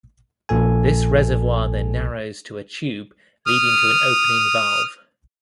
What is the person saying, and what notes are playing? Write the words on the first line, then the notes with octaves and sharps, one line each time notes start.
This reservoir then narrows to a tube leading to an opening valve.
A#1 A#2 A4 G#5
D#6 F6